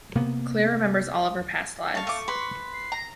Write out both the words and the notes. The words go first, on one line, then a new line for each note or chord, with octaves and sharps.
Claire remembers all of her past lives.
C3 A#3 B3
F5 A5 C#6
A3 D6
B4 C6
C7
A#5